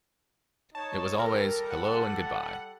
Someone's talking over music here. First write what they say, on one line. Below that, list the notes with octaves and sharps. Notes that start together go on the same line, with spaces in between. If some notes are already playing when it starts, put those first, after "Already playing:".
It was always 'hello and goodbye'.
D#4 C#5 A5
G3 A4 A#4
F#5